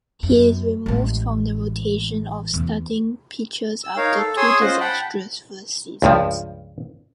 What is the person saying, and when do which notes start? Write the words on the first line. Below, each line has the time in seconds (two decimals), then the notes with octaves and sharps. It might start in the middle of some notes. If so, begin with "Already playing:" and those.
He is removed from the rotation of starting pitchers after two disastrous first seasons.
0.23 F#2
0.86 A1 G#3
2.54 E2
3.84 E6
3.97 D#4 A#4 C#5 F5
4.16 A4
4.37 G#4 C#5 G#5 C6 D#6 E6
4.61 C#4 F4 C5 D#5 F#5
4.80 F#5 G5 A5 B5
6.02 C#2 G2 F3